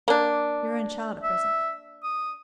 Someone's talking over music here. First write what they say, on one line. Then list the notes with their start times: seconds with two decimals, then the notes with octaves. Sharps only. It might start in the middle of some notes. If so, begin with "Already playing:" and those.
"Your own child at present."
0.08 A#3 D4
1.23 E5
2.03 D#6